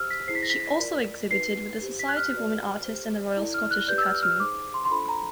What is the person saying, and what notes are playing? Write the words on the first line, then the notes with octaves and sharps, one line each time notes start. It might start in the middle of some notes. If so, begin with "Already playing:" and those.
She also exhibited with the Society of Women Artists and the Royal Scottish Academy.
Already playing: G4 C5 E6 F6
B6
E4 G#4 C5 C7
B6
A#6
B6
F4 A#4 D5
D#4 F#4 B4 C7
G4 C5
B6
F#6
F6
F#4 B4 D5
G4 C5
E4 A4 D5
F6
F#6
G4 B4 D5 G6
E6
F6
F6
D#4 G#4 C5 D6
C6
C6
D4 F4 A4 C5 B5
A#5